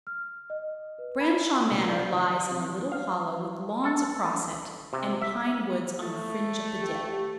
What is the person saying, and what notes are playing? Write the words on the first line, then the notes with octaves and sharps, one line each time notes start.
Branshaw Manor lies in a little hollow with lawns across it and pine-woods on the fringe of the dip.
F6
D#5
B4
B5
E4
C#2
D5
D#3
D#6
C3
F5
A4
C3
E5
A3
G4